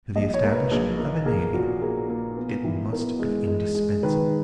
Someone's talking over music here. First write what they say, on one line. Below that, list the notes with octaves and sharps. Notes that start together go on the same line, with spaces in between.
To the establishment of a navy, it must be indispensable.
A#1 D#5
C#5
A#3
B4
A#1
A#3
A#3 G#4
A#2 F#4
A#3 G#4
A#3
B3
E3
B3 A#4
G#3
G#3
G#3
D#3 B4